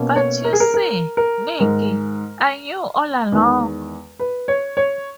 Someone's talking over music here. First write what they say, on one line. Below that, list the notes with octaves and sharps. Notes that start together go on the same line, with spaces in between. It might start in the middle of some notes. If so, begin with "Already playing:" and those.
But you see, Niki, I knew all along.
Already playing: B2 A#3 C#4
C#5
A#4
G#4
A#4
A#4
A#4
G#2 D#3 G#3 A#4
E2 D#3 G#3
B4
C#5
C#5